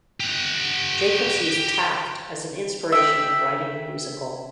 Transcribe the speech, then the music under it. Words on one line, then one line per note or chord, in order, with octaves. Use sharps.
Jacobs used Taft as an inspiration in writing the musical.
G4 F#5
E5 G5